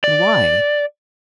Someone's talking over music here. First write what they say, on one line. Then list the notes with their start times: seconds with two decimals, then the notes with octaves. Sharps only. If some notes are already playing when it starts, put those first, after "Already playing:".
And why?
0.04 D5